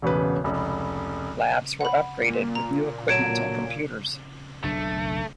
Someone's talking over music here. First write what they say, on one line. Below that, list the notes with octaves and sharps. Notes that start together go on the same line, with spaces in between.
Labs were upgraded with new equipment and computers.
E1 A1 C#3 B4
F1 C#2
F#5 B5
A#2
A#5
D3 F#3 C#5 G#6 D7 E7
F#1 B1 A3 D4